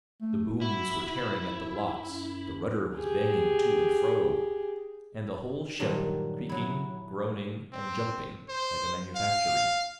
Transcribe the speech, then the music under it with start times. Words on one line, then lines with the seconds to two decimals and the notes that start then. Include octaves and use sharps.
The booms were tearing at the blocks, the rudder was banging to and fro, and the whole ship creaking, groaning, and jumping like a manufactory.
0.22 A3
0.61 E4 F#4
2.03 F#2
2.96 G4 G#4
5.79 G2 A#2 D#3 F#3 G3
6.49 F#3 E4
7.73 C4
8.49 C5
9.16 F5